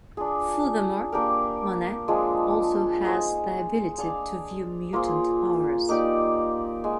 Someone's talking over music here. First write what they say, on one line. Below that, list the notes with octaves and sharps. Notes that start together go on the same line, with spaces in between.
Furthermore, Monet also has the ability to view mutant auras.
D4 F4 G#4
A#3 D4 G4 A#4
F3 G#3 D4 G#4
D#4 G#4 C5
D4 G#4 D5 F5
A#3 F4 G#4 C5
A#3 D#4 G4 D5
G#3